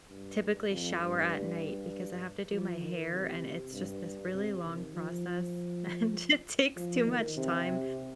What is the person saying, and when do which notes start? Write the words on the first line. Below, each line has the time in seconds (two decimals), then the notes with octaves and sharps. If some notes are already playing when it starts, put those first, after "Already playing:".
typically shower at night because I have to do my hair, and it's just this really long process, and it takes too much time,
0.09 G2
0.70 F2
1.00 G2
2.52 F3
2.82 D#3
3.12 C3
3.73 G2
4.34 C3
4.64 D#3
4.94 F3
6.76 F3
7.06 D#3
7.37 C3